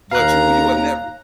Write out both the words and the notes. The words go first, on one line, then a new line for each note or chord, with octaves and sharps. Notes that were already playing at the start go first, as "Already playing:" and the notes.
But you you are never
D#2 F5 A#5 F#6